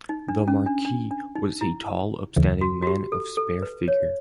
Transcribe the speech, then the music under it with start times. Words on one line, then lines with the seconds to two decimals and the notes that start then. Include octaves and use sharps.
The Marquis was a tall, upstanding man of spare figure.
0.09 D#4
0.28 D4
0.48 C#4
0.66 D4
0.85 D4
1.11 D4
1.35 D#4
1.61 E4
2.36 D#2 C#3 E3
2.61 F#4
2.82 F#4
2.87 G4
3.12 A4
3.37 A4
3.62 B4
3.88 C#5